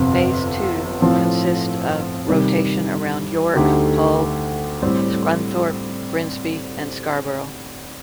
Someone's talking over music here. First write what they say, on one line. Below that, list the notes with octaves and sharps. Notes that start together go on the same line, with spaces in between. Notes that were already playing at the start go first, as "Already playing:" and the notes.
Phase two consists of rotation around York, Hull, Scunthorpe, Grimsby and Scarborough.
Already playing: G1 F2 C3
A2 F3 C4
C3 D#3 G3
D2 D3 A3 D#4 G4
A2 G3 C4